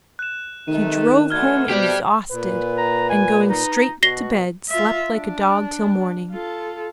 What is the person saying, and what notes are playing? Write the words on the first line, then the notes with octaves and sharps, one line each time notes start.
He drove home exhausted, and going straight to bed slept like a dog till morning.
F#6 E7
C3 D#3 A3 D#4 D#7
B2 D3 A3 F6 G#6
B2 A3 C4 D4 G4 D5
A#2 B4
A#5
G#5
D#4
B2 F#4 A#6 C7 G7
F4 E5
D4
F4 A4